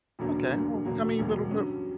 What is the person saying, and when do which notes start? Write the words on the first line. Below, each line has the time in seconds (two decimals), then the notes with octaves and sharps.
Okay. Well, tell me a little bit
0.19 E1 D2 D3 F#3 A#3
0.52 E1 D2 D3 F#3 A#3
0.85 E1 D2 D3 F#3 A#3
1.18 E1 D2 D3 F#3 A#3
1.51 G2 F#3 C#4